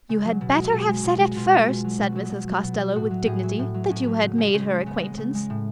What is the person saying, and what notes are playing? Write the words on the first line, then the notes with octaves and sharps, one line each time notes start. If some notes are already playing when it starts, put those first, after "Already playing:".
"You had better have said at first," said Mrs. Costello with dignity, "that you had made her acquaintance."
C#3
F#3
B2
G#3
B2 G#4
G#3
B2
G#3
B2 F4
G#3
B2
F#3
B2 F#4
F#3
B2
F#3
B2
F#3
A2 F#4
F#3
A2 G#4
F#3
A2
F#3
A2 C#4
F#3
C#3
G#3
C#3 C#4
G#3
C#3 B3
G#3
C#3
G#3
A2